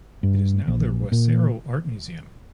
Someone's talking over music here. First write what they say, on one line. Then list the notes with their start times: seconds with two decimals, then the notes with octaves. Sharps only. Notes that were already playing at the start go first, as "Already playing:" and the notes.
It is now the Rwesero Art Museum.
0.23 G2
0.68 A#1
1.12 A#2